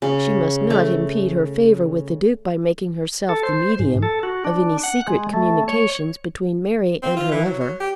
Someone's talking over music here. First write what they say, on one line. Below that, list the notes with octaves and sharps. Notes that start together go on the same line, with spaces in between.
She must not impede her favour with the Duke by making herself the medium of any secret communications between Mary and her lover.
C#3
A3
A4
C5
G#2
A4
F#4
D4
F#5
G#3
A3
C#5
C4
F4
E3
F#3
F#3
G4